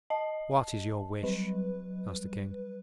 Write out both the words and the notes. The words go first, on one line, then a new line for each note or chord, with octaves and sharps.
'What is your wish?' asked the King.
D#5 A5
F#3 G3 B4